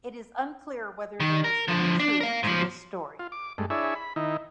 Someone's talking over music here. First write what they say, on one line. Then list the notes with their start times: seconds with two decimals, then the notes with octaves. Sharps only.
It is unclear whether there is any truth to this story.
1.20 D#3
1.44 A#4
1.68 D3 F3
2.00 D4
2.21 A#4 F5
2.43 G#2 F3
3.19 F4
3.32 D6
3.58 G2 G#3 A3
3.70 D4 E4 G#4 C#5 E5
3.95 B5
4.16 D#3 D#4 E4